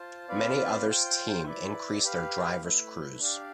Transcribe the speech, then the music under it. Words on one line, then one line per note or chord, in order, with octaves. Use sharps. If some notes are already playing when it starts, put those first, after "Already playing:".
Many others team increase their drivers crews.
Already playing: F4 C5 A5
C4 F4 B4 D5 F5
F4 C5 G5
E4 B4 D5
G4 B4 F5
A3 E4 B4
D4 G4 D5 F5